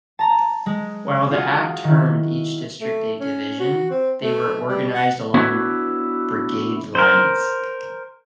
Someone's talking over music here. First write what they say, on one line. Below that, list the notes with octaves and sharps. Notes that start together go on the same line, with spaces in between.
While the act termed each district a "division", they were organized along brigade lines.
A5 A#5
G#3
F4 F#4 G#4
D#3 E4
A3
C#4
F#4
C4
A3
G3
F#5
B3 D4 E4 F#4 C#5
A#4 C5